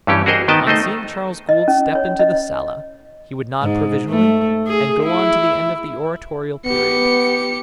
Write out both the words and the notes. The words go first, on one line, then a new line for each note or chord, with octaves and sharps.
On seeing Charles Gould step into the sala he would nod provisionally and go on to the end of the oratorial period.
G2 E3 C#4 G4
F#4 G#4 A#4 C5 D#5
D#3 B3 D#5 G5 A5
A3 D#4 C5 D#5
D#5
C#4
C#5
D#5
G#2
A3
G#4
E4
B3 G4 C#7